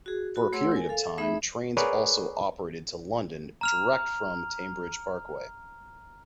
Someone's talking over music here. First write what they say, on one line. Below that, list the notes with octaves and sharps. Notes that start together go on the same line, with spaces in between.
For a period of time trains also operated to London direct from Tamebridge Parkway.
F#4 G#4
F#4 B5
A3 G#4 C#5 F#5 C6 E6
A#4 G#5
A4 F5
A3 D#4 G#4 E5 B5
G#4 A#4 B4 C#5 D5 F#5
A#5 F6 F7